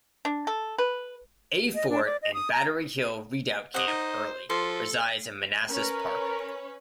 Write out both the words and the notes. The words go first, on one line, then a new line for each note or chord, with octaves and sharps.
"A" Fort and Battery Hill Redoubt-Camp Early resides in Manassas Park.
D4
A4
B4
D#5
D4
D5
D#5
D#6
A#5
C3 C5 D#5 F#5
D#4
F3 A4 C6
C#4 A#4 B4 C#5